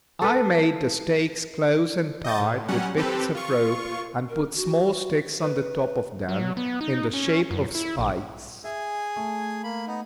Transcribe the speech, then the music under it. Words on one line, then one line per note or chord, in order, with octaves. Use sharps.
I made the stakes close and tight with bits of rope; and put small sticks on the top of them in the shape of spikes.
A4 B4
D#5 G6 A6
A2
F#3 G3 C#4 F#5
C4 G4 A4 B4
F4 C#6
A#4
F#4
B4
F#3
B3
D#4
C#4
F#2
E4
A#1
G#4 E5 G#5
A3
A#3 B5
B3 D#4